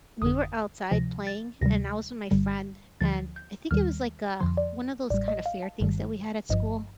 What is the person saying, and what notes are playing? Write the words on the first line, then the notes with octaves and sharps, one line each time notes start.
we were outside playing and I was with my friend, and I think it was like, uh, one of those kinda fair things that we had at school,
G1 F2 D3 D#6
D2 C3 F3 A#6
A6
D2 C3 D#3 G3 A#6
G1 G2 D3 G3
D2 D3 F3 A6
G6
D#2 D#3 G3 F6
F2 D3 F3 C6
D5
A1 A2 G3 D5
D#5
F5
A5
G1 G2 D#3 G3
G1 G2 F3 D#5